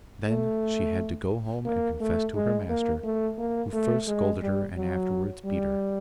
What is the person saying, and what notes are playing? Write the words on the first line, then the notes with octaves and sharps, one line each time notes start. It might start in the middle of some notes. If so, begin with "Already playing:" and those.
Then she had to go home and confess to her master, who first scolded her and afterwards beat her.
A3
A#3
A3
G#3
A#3
A3
A#3
A3
G#3
G3
F#3
G3